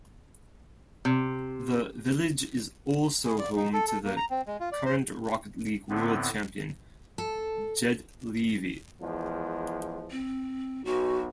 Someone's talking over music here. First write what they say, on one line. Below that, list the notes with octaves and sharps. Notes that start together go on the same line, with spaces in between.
The village is also home to the current Rocket League World Champion, Jed Levy.
C3
G#4
D5
D#4
A4
A4
A#3
A#5
C4
G#3
F4
D5
C5
A2 D3 B3 C4
A4
E2 F3 G#3
C4
B1 F#4